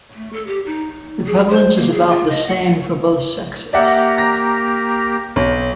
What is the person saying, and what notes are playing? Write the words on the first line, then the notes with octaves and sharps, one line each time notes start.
The prevalence is about the same for both sexes.
A3
A4
G4
D#4
G#4
C5
A#3
G#4
F4
D#5
F#5
F4
A#3 G4 D5 E5 F#5 A#5
A#6
B1